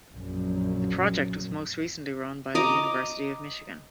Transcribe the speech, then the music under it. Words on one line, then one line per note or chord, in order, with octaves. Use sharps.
The project was most recently run by the University of Michigan.
A#1 F#2
D#5 A#5 D6